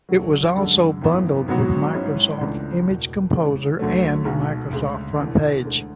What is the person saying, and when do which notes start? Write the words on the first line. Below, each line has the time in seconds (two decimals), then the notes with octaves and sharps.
It was also bundled with Microsoft Image Composer and Microsoft FrontPage.
0.09 D2 D3 F#3
0.55 F#2 D3 G#3
1.01 G#1 F#2 E3 B3
1.48 A1 G#2 F#3 B3 F#4
1.94 A1 G#2 G#3 C#4 E4
2.41 C#2 C#3 E3 A3 D4
2.87 E1 E2 B2
3.33 E2 C#3 G#3
3.79 D2 D3 F#3 A3
4.25 B1 B2 G#3
4.72 D2 C#3 G#3
5.19 E1 E2 D3
5.65 D2 D3 G#3